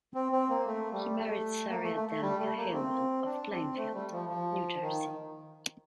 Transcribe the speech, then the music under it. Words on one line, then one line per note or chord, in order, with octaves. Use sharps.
He married Sarah Delia Hilman of Plainfield, New Jersey.
C4
C4
A#3
A3
G3
A3
A#3
A3
A3
A3
G3
A3
A#3
C4
D4
C4
A3
G3
F3
F3
D#3